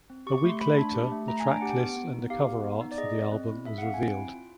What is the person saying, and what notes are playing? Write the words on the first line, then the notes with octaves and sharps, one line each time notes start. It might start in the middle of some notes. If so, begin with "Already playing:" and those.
A week later the tracklist and the cover art for the album was revealed.
C4
G4 C#6
C#6
A3
C6
A3 B5
D4
G4
A3
A3 A#5
G#5
D4
G5
G4 F#5
G5
B3
B3
D#4
G4 F5
B3
B3
D#4
D5
G#4 D#5
C4
C4
E4
G#4 E5
F#5
C4 F5
G#5
C4 G5
E4
F4